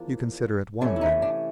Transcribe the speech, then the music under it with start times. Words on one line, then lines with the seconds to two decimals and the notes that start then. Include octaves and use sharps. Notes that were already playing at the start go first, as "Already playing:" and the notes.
"You consider it won then?"
Already playing: E2 F3 A#3 D4
0.81 C3 E3 A3 C#4 D4
0.96 E4
1.01 D#4
1.22 D4